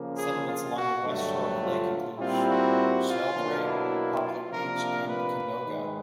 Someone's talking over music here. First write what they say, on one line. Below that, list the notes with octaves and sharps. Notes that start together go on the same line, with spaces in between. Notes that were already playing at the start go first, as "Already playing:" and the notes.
Settlements along the west shore of the lake include Sheldrake, Poplar Beach, and Canoga.
Already playing: C#3 F3 A#3
G#4
F4
F#4
G2 D3 F#3 A3
F#4
F4
F4
A#2 G3 C4 E4 F4
F#4
F4
B2 F#3 A#3 D4
E4
F4
C3 F3 A#3 D4 A#4
B4
G#2 D#3 G#3